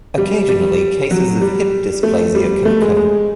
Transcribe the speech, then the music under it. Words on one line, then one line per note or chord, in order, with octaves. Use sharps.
Occasionally, cases of hip dysplasia can occur.
G3
G3
F#3
G3
A3
G3
A3
G#3
G#3